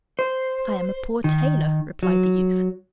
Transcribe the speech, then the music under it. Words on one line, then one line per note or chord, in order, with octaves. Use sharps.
'I am a poor tailor,' replied the youth.
C5
D#3
F#3